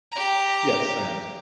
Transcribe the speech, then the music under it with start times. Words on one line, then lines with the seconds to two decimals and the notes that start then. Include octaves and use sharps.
Yes, I am.
0.12 G4 A#5